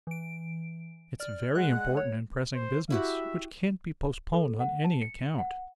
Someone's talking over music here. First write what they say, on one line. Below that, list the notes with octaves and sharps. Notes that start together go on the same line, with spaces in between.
'It's very important and pressing business, which can't be postponed on any account.
E3 D7
D5 F6
G#3 F#5 F#6
C#5
C5
E4 F#4 G4 E5
A4
F#5
A5
C#7
F#5